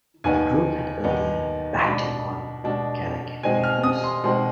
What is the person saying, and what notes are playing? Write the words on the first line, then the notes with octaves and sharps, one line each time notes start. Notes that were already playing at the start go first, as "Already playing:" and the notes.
The group had earlier backed him on "Can I Get a Witness".
D#2 D#3 B3 D#4 G#5
D#2 D#3 B3 D#4
B2 G#3 D4 B5
B2 G#3 D4
B2 G#3 C4 D#4 G#5
F6
D#6
C6
B2 G#3 C4 D#4 C6